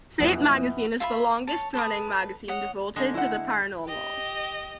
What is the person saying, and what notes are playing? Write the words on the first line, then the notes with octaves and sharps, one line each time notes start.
"Fate" magazine is the longest-running magazine devoted to the paranormal.
F2 B2 E3 F#3 A#3 B3 E4
F4 E5 A5 B5
C#5 A5
A4 B4 C6 D#6
C#5 D#5 F#5
D3 G#3 D#4
E4 F#5
G4 D#5